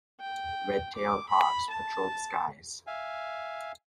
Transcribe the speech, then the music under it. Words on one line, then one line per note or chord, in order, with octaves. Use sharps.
Red-tailed hawks patrol the skies.
G5
D6
B5
A5
E5 F5 G#5